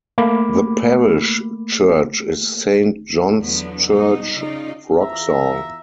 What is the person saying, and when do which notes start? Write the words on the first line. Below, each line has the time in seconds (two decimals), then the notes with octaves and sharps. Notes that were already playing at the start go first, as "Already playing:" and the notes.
The parish church is Saint John's Church, Wroxall.
0.18 A3 A#3 B5 D6
3.38 E2 D3 F3 F#3 B3
3.87 B2 G3 G#3 D#4
4.34 C#3 D#4 F4 D5
5.01 E2 F4 E5 A#5